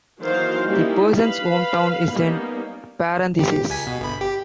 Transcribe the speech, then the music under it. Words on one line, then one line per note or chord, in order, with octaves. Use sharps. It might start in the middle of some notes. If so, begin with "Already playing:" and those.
The person's hometown is in parentheses.
D#3 E3 F#3 A#3 C5 F5
G3 A#3 C#4 D#4 E4 G4
B4 F5 B5
G3 A#3 B3 C#4 D#4
G4
C#2 G#5 B6
B2
G1 B5
G4